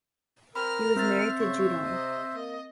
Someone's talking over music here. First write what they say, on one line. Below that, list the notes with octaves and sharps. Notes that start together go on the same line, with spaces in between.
He was married to Judon.
C4 A#4 B5 F6
C4 C5 E5 A6
C#3 C#5
C3 D#5
A#3 D#5